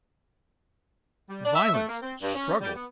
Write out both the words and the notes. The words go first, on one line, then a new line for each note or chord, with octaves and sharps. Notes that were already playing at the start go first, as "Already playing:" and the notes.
"Violence! Struggle!"
G3
D4
E5
A3
A#3
C4
G2
C#4
G3
B3